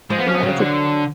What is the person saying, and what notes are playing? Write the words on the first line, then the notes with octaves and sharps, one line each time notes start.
Yeah, that's a
F3 G#3
B3
C#4
B3
C#3 F#3
D3